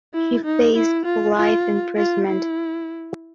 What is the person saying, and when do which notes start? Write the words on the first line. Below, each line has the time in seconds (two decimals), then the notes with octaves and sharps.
She faced life imprisonment.
0.14 E4
0.45 D#4
0.75 E4
1.05 F4
1.36 F4
1.97 F4
2.28 E4